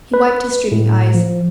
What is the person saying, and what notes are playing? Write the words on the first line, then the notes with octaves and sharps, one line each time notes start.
He wiped his streaming eyes.
B4
A2
F3